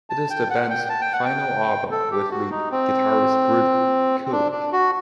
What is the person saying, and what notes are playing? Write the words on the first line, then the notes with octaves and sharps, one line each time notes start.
It is the band's final album with lead guitarist Bruce Kulick.
A5
G5
F#5
G5
A5
G5
F#5
G5
A4
G4
F#4
D#4
C4
C4
D4
D4
F#4